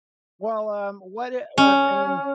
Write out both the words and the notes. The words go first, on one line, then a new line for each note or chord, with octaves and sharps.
Well, um, what eh, what I mean,
C#4